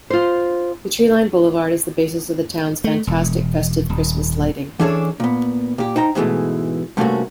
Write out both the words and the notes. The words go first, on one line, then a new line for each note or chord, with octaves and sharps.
The tree-lined boulevard is the basis of the towns fantastic festive Christmas lighting.
F4 C5
A3
E1
D#1
E3 C#4 D4 G#4 A4 C#5
A#2 B3
A#2 G4
D#4 C5 G5 A#5
G#2 B2 E3 F3 G#3 A3
G2 C3 A3 A#3 C#4 F#4